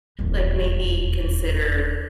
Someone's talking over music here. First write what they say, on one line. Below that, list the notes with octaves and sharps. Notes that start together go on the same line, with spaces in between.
like maybe consider,
D#1 E2